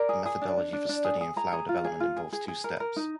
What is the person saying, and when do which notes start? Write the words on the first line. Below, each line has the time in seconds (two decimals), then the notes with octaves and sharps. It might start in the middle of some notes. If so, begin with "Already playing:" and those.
The methodology for studying flower development involves two steps.
Already playing: A#4 D5
0.09 G#4
0.26 G#4
0.41 D4
0.58 D4
0.73 D4
0.89 D4
1.05 G#4
1.21 G#4
1.36 G#4 A#5
1.52 G#4
1.69 F4
1.84 G#4
2.00 F4
2.16 G#4
2.33 G#4
2.48 G#4
2.64 A#4
2.80 A#4
2.96 D#4